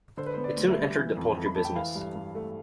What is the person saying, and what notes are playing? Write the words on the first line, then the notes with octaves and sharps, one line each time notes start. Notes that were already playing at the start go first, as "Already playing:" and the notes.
It soon entered the poultry business.
D3 C5
B4
C5
B3
D5
D2
E5
G3
E3
F2
F2
B5
A3 A5
G5
E3 F5
G2
G2
A3